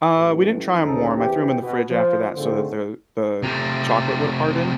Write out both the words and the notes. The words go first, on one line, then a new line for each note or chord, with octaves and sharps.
Uh, we didn't try 'em warm, I threw them in the fridge after that so that the the chocolate would harden.
A1 F#2
G#1 D2 C#4 D#4 A4
E2 E3 C4 G4
B2
F3
G#2 D3 A3 C4 F4 C5
C3 A3